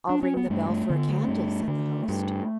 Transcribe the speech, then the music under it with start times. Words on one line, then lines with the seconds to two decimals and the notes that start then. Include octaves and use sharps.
"I'll ring the bell for a candle," said the host.
0.09 D4
0.23 C#4
0.37 B3
0.50 G2 A3
0.69 A3
0.90 D3 B3
1.09 A3
1.28 G2
1.68 D3
2.08 G2